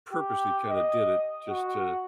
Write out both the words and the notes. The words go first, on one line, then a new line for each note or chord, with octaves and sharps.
purposely kinda did it just to
G4
D#5
F#4